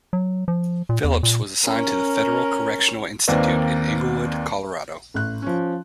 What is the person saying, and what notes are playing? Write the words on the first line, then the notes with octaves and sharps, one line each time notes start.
Phillips was assigned to the Federal Correctional Institution in Englewood, Colorado.
F#3
F3
A#2
E2
A#2
C#4 A#4
D#2 D#3 A#3 C4 B4 D5
A1 F#6
F3 C#4